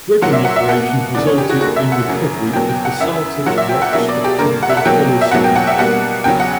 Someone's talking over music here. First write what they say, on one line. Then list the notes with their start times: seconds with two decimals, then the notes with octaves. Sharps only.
Dredging operations resulted in recovery of basaltic rocks of probable Holocene age.
0.22 A#2 F#3 A#3 F#5
0.33 E5
0.45 F#5
0.56 E5
0.69 B2 A#3 F#5
1.15 E2 C#3 E3 D5
1.27 C#5
1.38 G4
1.49 F#4
1.61 F#2 D3 A#3 F#4
1.76 E5
1.92 F#5
2.08 F#2 C#3 F#3 A#3
2.53 E2 B2 F#3 A#3 G5
2.69 G5
2.85 F#5
3.00 F#2 C#3 E3 E5
3.46 A#2 F#3 A#3 F#5
3.58 E5
3.69 G5
3.82 F#5
3.92 B2 F#3 A#3 E5
4.09 D5
4.24 G4
4.39 G2 D3 A#3 A#4
4.63 F#5
4.69 E5
4.77 F#5
4.85 B2 F#3 A#3 G5
5.21 E5
5.31 E2 B2 F#3 A#3 F#5
5.44 G5
5.56 F#5
5.67 E5
5.79 B2 G3 A#3 F#5
6.24 E2 C#3 F#3 G5
6.40 F#5